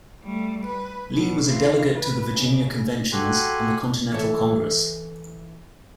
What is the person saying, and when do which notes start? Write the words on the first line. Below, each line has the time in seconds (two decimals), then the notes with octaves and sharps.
Lee was a delegate to the Virginia Conventions and the Continental Congress.
0.24 G3 A3
0.66 B4
1.14 B2 F#3
1.46 E3 F4
1.95 B4
2.30 C#3
3.12 F#4 G4 A4 G#5 C6 F#6
4.12 E3 A4 C#5